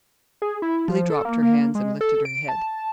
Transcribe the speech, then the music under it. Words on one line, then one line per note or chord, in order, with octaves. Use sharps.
Billy dropped her hands and lifted her head.
G#4
E4
F3
A4
A#3
A#3
G#3
A4
D7
A5